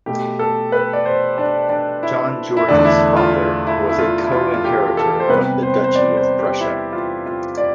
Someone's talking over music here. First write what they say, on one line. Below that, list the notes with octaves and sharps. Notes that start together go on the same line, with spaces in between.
John George's father was a co-inheritor of the Duchy of Prussia.
B2 A3 G4
A4
B4
D5
C5
D4
D4
E4
E4
E2 D3 A3 D4
D4
E4
F4
F4
E4
E4
F4
E4
F4
F4
G4
A4
C5
C3 G3 B3 B4
C5
C5
D5
C5
G4
E4
F4
F4
D5